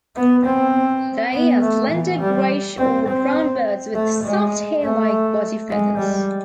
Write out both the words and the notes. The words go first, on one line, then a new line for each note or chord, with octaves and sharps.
They are slender greyish or brown birds with soft, hairlike body feathers.
B3
C4
B3
A3
E3
G3
C4
C4
A3
G#3
A3
G#3
G3